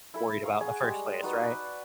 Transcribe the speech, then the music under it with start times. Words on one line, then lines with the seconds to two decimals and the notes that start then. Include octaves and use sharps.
worried about in the first place, right?
0.14 E4 A4 B5
0.43 F5 A#5 C#6 D#6
0.61 G#4 F#5
0.82 G3 G#3
1.23 D#4 F#4 B4 A5
1.42 D5 B5 D6